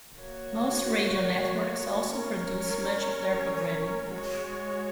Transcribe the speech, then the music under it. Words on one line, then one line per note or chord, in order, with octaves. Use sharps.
Most radio networks also produce much of their programming.
A#3 F#4 C#5
C#4 A#4 C#5
G#3 F#4 C#5